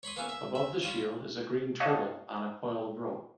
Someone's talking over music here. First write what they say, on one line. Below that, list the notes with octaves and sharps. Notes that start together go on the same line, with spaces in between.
Above the shield is a green turtle on a coil of rope.
C#5 B5 C6 D#6
A#3 B3 C#4 E4 G#4
E5
E5
G3 F4 C#5
C#5 D#5 F5 F#5 A5